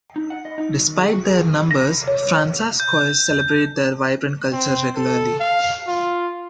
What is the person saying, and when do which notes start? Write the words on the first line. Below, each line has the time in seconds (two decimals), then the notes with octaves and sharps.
Despite their numbers, Fransaskois celebrate their vibrant culture regularly.
0.16 D#4
0.30 F#5
0.45 D#5
0.58 D#4
0.75 F#3
0.87 D#3
1.00 G#4
1.13 F#4
1.25 G#4
1.38 D#3
1.71 A#6
2.08 C#5
2.80 G6
4.52 C4
4.96 A4
5.40 F5
5.87 F4